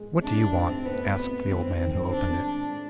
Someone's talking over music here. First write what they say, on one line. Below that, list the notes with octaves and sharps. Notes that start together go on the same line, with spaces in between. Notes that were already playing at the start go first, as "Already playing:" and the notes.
'What do you want?' asked the old man who opened it.
Already playing: G#3
C3 D4
F1 C4
F1 B3
C3
D#3 C4
D#3
F2 D4
G#3 D4